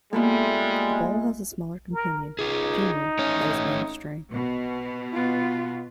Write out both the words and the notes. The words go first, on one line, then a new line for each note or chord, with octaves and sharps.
The ball has a smaller companion, "Junior", that is made of string.
G3 G#3 A#3 B3 F4 A4 E5
A#4
D#4 F4 G#4
A3 C#4 C#5
B2
B3 F4